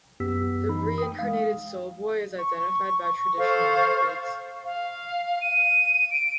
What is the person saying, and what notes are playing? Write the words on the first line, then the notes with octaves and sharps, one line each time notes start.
The reincarnated soul boy is identified by traditional methods.
F#2 B3 G4 E6 B6
E3 D#4 B5
G5 D#6
G#3 F5
C#6
A4 C5 F5
F5
D#7
D7